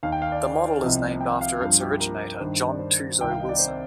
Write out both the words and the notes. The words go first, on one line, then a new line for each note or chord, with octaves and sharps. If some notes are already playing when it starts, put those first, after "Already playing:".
The model is named after its originator John Tuzo Wilson.
D#2 D#3 F5
G5
F5
D5
D5
C2 C3 F3 D#5
G5
F5
G2 F3 F5
G4
A#4
G2 D#3 C5
D5
C5
C2 C3 D#3 G5
F5
D#5
D5
C5